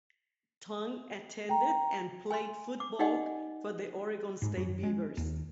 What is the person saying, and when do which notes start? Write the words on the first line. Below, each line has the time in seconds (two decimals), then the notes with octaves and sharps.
Tongue attended and played football for the Oregon State Beavers.
1.49 G5 A#5
2.31 G#5 C6
2.80 D6
2.99 D#4 G4 D5 D#5 F#5 G#5
4.42 G#2
4.57 F#2
4.83 G#3
5.17 D#2